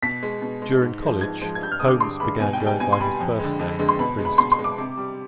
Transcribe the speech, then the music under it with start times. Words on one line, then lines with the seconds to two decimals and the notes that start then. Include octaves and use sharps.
During college, Holmes began going by his first name, Priest.
0.03 B2 B6
0.23 G#3
0.42 B2
0.62 G#3
0.82 G#2
1.02 F3 G#3
1.21 G#2 G#6
1.41 F3 G#3
1.55 G#6
1.61 G2 G6
1.72 F6
1.80 D3 G#3 D#6
1.88 D6
2.00 G2 C6
2.20 D3 G#3 B5
2.40 B2 G#5
2.53 G5
2.61 G3
2.67 G5
2.80 B2 G#5
2.92 C6
3.00 G3 B5
3.20 F2
3.39 D3 G#3
3.59 F2
3.79 D3 G#3
3.89 C6
3.99 B2 B5
4.18 G#3
4.25 B5
4.38 B2 C6
4.52 C6
4.59 G#3
4.64 D6
4.78 C3
4.97 G3